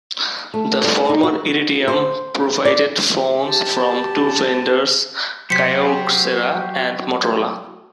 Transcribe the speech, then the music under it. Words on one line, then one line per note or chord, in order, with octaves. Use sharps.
The former Iridium provided phones from two vendors, Kyocera and Motorola.
A3
G3
D#4
F#4
C5
D5
G4 A5
F#3 F#4 G4 C5 B6 C#7